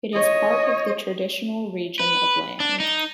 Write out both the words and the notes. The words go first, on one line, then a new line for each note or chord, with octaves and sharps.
It is part of the traditional region of Land.
C#5 D#5
B4
D4
D#4